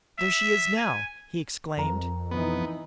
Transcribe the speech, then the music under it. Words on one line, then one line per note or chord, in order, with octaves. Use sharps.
"There she is now!" he exclaimed.
E5
G#5
F2 A#4 A#5
E3 B3 D#4